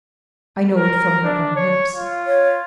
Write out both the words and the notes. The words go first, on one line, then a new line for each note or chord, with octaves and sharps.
I know it from her own lips.
A#4
D4
C#5
F4
C#5